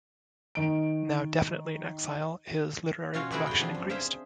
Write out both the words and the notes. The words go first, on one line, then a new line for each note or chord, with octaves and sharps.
Now definitively an exile, his literary production increased.
D#3 D7
B2 C#4 F4 F#4 C#5 F5
E4 F#4 G#4 A4 B4 D5
G#4 G5
F3 G3 C4 D4
F#2
G#4 C5 E5 F5